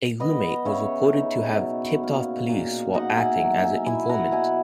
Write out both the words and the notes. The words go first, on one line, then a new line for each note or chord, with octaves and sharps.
A room-mate was reported to have tipped off police, while acting as an informant.
B3 B4 D#5
C#3 C#5 E5
D#4
B2
A#3
A#2
D#4 D#5 F#5
E5 G#5
F#3
E5 G#5
E4 E5 G#5
F#5 A#5
B2 E5 G#5